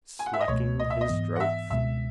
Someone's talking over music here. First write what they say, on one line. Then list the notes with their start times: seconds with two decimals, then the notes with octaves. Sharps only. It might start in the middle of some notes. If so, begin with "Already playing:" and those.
Slaking his drouth.
0.19 G#5
0.26 F#5
0.33 E5
0.41 D#5
0.48 C#2 B2 A3 C#5
0.79 D#5
0.90 E5
1.01 D#5
1.09 G#2 E3 B3
1.36 F#5
1.40 E5
1.70 C#2 B2 G#3 E5